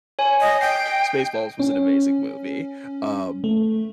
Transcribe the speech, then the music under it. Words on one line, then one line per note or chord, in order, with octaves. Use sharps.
Spaceballs was an amazing movie. Um,
C#5 G#5
D#5
G5 C7
C#4
A3